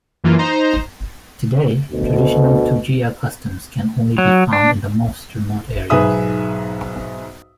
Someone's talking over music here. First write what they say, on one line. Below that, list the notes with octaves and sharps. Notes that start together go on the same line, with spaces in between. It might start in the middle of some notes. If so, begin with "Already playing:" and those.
Today, traditional Tujia customs can only be found in the most remote areas.
F#2 E3 A#3 F4
D#4 C5 A#5
D2 B2
F#3
D4
B1 G#2 G#4 B4 E5 D#6